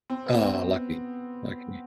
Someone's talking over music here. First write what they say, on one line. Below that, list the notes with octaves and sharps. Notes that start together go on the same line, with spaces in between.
Oh, lucky, lucky.
C4
B3
C4